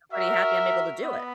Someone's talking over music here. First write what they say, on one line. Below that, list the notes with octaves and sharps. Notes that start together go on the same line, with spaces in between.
I'm pretty happy I'm able to do it.
F#4 A#4 E5
B3